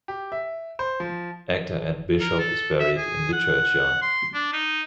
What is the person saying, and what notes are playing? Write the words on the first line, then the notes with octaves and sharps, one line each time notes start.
Actor Ed Bishop is buried in the churchyard.
G4
E5
C5
F3
A#4
A4
E5
G#4
F#5
C6
D4
D#4